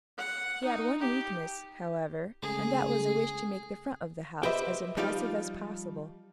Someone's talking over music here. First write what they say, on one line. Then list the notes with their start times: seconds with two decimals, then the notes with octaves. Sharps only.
He had one weakness, however, and that was a wish to make the front of the house as impressive as possible.
0.18 F#5
0.65 D#4
1.00 G4
2.43 C#3 G#3 A3 G#4
4.43 G4 B4 C5 D#5 E5
4.97 F3 G3 D#4 F4 D5 F5